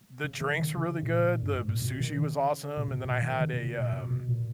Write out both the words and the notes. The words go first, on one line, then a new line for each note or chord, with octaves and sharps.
the drinks were really good, the sushi was awesome, and then I had a, um
C#3
D#3
C#3
C#3
A#2
G2
G#2
A#2
B2
D#3
C#3
A#2
B2
A#2
D#3
C#3
B2
B2
A#2
B2
B2
A#2